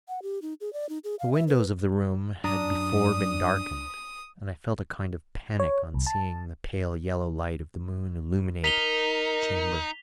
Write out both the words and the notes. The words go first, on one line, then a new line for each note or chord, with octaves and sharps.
The windows of the room had before been darkened, and I felt a kind of panic on seeing the pale yellow light of the moon illuminate the chamber.
F#5
G4
D#4
G#4
D5
D#4
G#4
F5
E5
B4
F#2 D4 A#5 D#6
C#5
C2
A5
D#4 A#4 B6 F7 G7